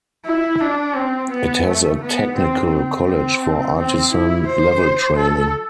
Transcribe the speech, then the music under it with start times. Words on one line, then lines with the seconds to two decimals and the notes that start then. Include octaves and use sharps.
It has a technical college for artisan level training.
0.25 E4
0.60 D4
0.95 C4
1.31 B3
1.66 A3
2.01 B3
2.36 C4
2.72 C4
3.06 C4
3.77 C4
4.12 E4
4.48 C5
5.18 A4